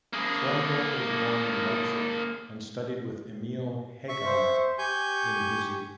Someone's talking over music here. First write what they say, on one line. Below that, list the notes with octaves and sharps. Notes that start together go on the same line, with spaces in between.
Klengel was born in Leipzig, and studied with Emil Hegar in his youth.
A#3 G#4
E5 C#6
C5
G4 G#5 C#6 G6